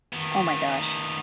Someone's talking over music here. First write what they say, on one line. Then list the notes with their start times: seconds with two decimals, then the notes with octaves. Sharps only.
Oh my gosh.
0.13 D#3 B3